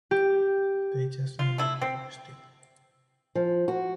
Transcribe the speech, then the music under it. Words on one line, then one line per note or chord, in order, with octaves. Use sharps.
They just never published it.
G4
F4
A3 E4
C4
F3
F#4